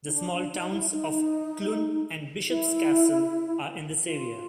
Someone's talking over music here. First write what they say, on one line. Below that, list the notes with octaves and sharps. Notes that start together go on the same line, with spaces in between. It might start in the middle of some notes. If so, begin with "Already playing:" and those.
The small towns of Clun and Bishop's Castle are in this area.
D#4
D4
D4
D#4
E4
D#4
E4
F4